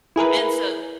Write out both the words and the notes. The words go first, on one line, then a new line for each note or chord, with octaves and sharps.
and so
E4 G#4 A#4 B4